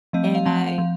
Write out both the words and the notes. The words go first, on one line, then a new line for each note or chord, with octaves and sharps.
and I
F3 A3 C4 D#5
D#5
F5
F3 C4 A5
F#5
F5
F3